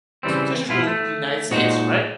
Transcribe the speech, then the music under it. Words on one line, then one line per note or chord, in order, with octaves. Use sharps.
So, it's just really the United States, right?
C#3 E3 G3 C4
B2 E4 F4
A3
A#2 G#3 D#4 F#4 C5